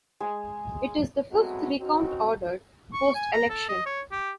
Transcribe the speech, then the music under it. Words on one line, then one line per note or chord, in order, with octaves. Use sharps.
It is the fifth recount ordered, post-election.
G#3 G#5
A2 F#3 G#3 B3 C4 F#4
C4 C#4 D#4 F#4
C#6
G#5
A#5
A4
D#5
C#5
G4